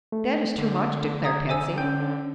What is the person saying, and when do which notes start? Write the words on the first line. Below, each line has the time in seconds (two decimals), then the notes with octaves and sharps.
"That is too much," declared Patsy.
0.12 A3
0.58 D3
1.24 A#5 D#6 G#6
1.49 C5 G#5 E6
1.78 C#4 G5 G6